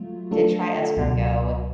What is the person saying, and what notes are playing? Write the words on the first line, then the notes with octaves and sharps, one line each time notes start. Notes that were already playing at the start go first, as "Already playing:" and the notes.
did try escargot,
Already playing: F#3 A3 F4
F#3 A3 D4 F4 A4
C#2 B2 F#3